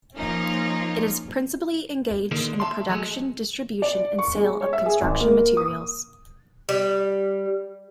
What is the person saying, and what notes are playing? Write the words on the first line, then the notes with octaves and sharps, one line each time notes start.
It is principally engaged in the production, distribution and sale of construction materials.
F3 A#3 C#4 D#4 F4
D3 D#3 G#3 A#3
E5 A5 C6
F#3 G#3 A3 G#4
D5
C#6
G#3
C#5
E5
G#4
G#1
A#3
D#6
G3